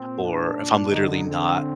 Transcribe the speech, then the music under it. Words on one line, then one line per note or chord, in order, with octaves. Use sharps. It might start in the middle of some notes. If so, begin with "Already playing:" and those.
or if I'm literally not
Already playing: A#2 C4
D4
A#2
D3 D#4
D3 C4